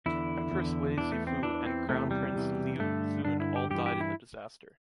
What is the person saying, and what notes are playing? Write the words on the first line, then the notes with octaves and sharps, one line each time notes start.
Empress Wei Zifu and crown prince Liu Xun all died in the disaster.
E2 D3 E4
E2 D3
E2 E3 D4
A3
C4
E2 E3 D4
C4
E2 C3 E3 A3
G3
E2 C3 E3
G2 D3 A3
G2 D3 D4
E4
G4
G2 E3 G4
G4
E4